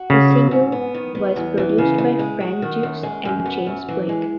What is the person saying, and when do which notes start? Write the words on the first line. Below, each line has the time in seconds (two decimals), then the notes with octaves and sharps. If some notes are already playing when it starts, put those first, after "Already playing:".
The single was produced by Frank Dukes and James Blake.
Already playing: F#4
0.10 C#3 F#3
0.30 F#3
0.51 G#2
0.72 B3
0.94 D#3
1.15 B3
1.36 E2
1.57 E3
1.78 C#3
1.98 G#3
2.19 G#3
2.40 F#4
2.62 D#3
2.83 F#2
3.03 G#3
3.25 F#2
3.46 B3
3.67 F#2
3.89 E3
4.09 G#3